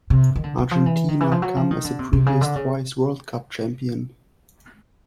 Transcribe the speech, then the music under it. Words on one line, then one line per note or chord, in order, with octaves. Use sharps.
Argentina come as a previous twice World Cup champion.
C3
D#3
D3
E3
F3
E3
D#3
E3
F3
F#3
F3
D#3
D3
C3
C3
C#3
D3
C#3